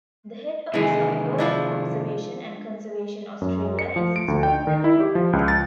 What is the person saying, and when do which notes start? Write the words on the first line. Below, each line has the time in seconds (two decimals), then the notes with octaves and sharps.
The head office of Bird Observation and Conservation Australia is in Springvale Road.
0.74 C3 D#3 E3 G#3
1.38 F3 D4 E4
3.41 F#2
3.79 C#7
3.96 F3
4.16 D7
4.28 D2
4.43 G5
4.67 D#3
4.84 E4
5.00 G4
5.15 F3
5.33 C#2
5.48 A6